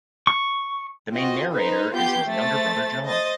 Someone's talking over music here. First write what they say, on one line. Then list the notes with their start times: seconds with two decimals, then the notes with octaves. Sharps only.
The main narrator is his younger brother John.
0.27 C#6
1.15 C4 F4 F#4 D#5
1.53 D#4 B4 C5
1.93 B3 F4 G4 G6 C7
2.27 A3 C5 A6
3.04 C5 D#5 A6